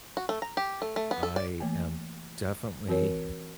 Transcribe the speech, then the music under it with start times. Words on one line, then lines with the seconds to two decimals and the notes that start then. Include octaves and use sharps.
I am definitely
0.17 F#4
0.29 A3
0.42 A#5
0.57 G4
0.82 A3
0.96 A3
1.11 B3
1.23 A4
1.36 D5
1.60 E3 A3 A#3 G#5
2.87 E3 C4 F#4 A#4 C#5